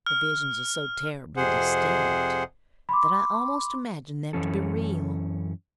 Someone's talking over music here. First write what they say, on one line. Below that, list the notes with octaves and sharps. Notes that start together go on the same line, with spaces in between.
The visions are so terribly distinct that I almost imagine them to be real.
F6
F2 C3 G#4 C5 F#5
B5 C6 D6
F#2 E3 C#4 A4